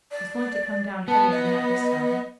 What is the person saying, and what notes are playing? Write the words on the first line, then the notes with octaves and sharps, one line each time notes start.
He's going to come down heavy on Nat this time.
D5
B3 A5
D#5